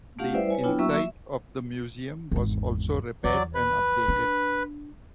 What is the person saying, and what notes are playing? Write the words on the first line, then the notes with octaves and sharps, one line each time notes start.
The inside of the museum was also repaired and updated.
A3 C#4 F4 G4 F5 F#5
G3 E4 B4 C5 D5 E5
B4 C#5 G#5
F#3 B3 D4 E4 F4 G5
F#3 A#3 F#4 E5 C#6 E6
E5
G#1 E2
E2 F#3 D5
B4 B5
D4